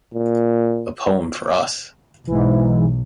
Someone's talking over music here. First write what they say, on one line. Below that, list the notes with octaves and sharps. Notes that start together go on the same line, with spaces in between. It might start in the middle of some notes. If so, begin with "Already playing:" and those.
A poem for us.
A#2
B1 G#2 E3